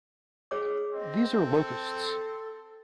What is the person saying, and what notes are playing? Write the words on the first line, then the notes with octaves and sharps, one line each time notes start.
These are locusts.
G#4 C#5 D6
C4 D#5
A4